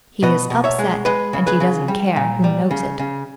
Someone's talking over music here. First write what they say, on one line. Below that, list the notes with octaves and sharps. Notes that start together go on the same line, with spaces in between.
He is upset, and he doesn't care who knows it.
B2 B4 D#5
B2
C#5 E5
G#3
G#3 B4 D#5
C#3
G#4 B4
C#3
G3
A#2
G3
C#3
C#3